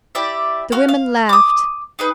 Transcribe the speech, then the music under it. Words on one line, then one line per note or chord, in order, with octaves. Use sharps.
The women laughed.
E4 G4 D5 E5
F#4 F5 F6
F5
D6 D#6
D#4 G#4 B4